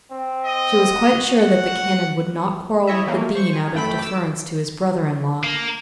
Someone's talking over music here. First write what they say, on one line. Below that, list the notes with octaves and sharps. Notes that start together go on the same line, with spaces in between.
She was quite sure that the Canon would not quarrel with the Dean out of deference to his brother-in-law.
C4
D#5
F#4
F#5
E4 C#5 D#5 E5
E3 F#3 A3 A#3
C5 C#6
G#5
F#2 A3 G5 B5 B6
D6 E6
A#3